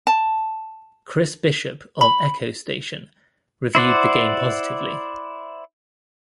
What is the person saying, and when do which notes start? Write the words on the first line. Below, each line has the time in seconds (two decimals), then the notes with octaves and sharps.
Chris Bishop of "Echo Station" reviewed the game positively.
0.07 A5
2.01 B5
3.75 E4 C5 D5 F#5